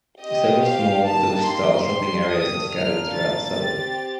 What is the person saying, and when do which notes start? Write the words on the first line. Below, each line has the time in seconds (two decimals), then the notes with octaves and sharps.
Several small, village style shopping areas are scattered throughout the suburb.
0.21 C4 G4 D#5
0.64 F5
1.05 A#3 D#4 G4 A5
1.47 C6
1.88 A3 D4 G4
2.31 D#6
2.73 A#3 D4 F4 A4 F6
3.15 A6
3.56 C4 G4